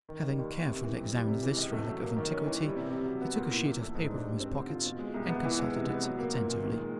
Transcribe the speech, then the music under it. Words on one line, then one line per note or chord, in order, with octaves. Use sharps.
Having carefully examined this relic of antiquity, he took a sheet of paper from his pocket, and consulted it attentively.
D#3
G3
D#2
A#3
C3
E3
F2
G3
C3
E3
C#2
A3
F#3
A#3
D#3
C#4
E3
G3
C3
C3
F#3
B3
A#2
E4
E3
A3
G#2
D4
G3
C4
D3
F4
B2
G#3
C2
B3
E3
G#3
C3
B3
F#3
A#3
A#2
A#2
D#3
G#3